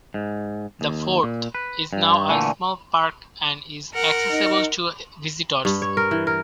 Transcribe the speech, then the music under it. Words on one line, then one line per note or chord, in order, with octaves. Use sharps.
The fort is now a small park and is accessible to visitors.
G#2
D#2
A#2
B4
G2
A#2 D3 E3 A3
A#4 F#5
D#4
G2
C#5
A#4
E3
A#4